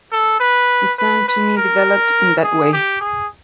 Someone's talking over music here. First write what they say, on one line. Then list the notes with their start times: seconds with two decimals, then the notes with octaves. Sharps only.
The sound to me developed in that way.
0.12 A4
0.40 B4
0.98 B4
1.28 B4
1.57 A#4
2.43 G#4
2.73 G4
3.01 G#4